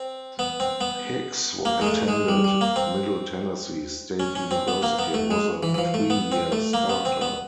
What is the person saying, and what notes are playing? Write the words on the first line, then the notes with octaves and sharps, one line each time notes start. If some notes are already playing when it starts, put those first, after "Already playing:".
Hicks attended Middle Tennessee State University and was a three-year starter.
Already playing: C4
B3
C4
B3
A#3
G#3
A3
G#3
G3
G3
A#3
C4
C#4
C#4
C4
B3
A#3
B3
A3
G#3
E3
E3
F3
A3
B3
C4
A3
A#3
B3
C4
B3